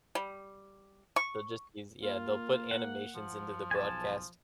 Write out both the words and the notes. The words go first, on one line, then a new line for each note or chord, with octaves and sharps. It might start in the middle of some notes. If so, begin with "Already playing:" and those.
They'll just use yeah, they'll put animations into the broadcast.
G3
C#6
A#3 F4
F#5
F3
B1 G#5 A5